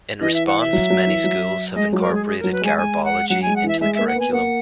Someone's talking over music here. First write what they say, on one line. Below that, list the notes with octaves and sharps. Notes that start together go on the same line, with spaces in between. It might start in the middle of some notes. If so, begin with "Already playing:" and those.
In response, many schools have incorporated garbology into the curriculum.
E3 D#5
E5
F#5
E5
F#3
F#3
E3
F#3
G#3 D#5
F#3
A#4
G#3 G#4
G#4
F#3 A#4
B4
G#3 G#5
G#3 G#5
F#5
F#3 F#5
G#3 G#5
F#5
E3 E5
G#3 E5
A#3 E5
F#5
B3 G#5
A#3 F#5